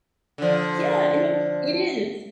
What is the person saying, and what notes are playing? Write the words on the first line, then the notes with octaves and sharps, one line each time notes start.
Yeah, and o it is.
D3 F3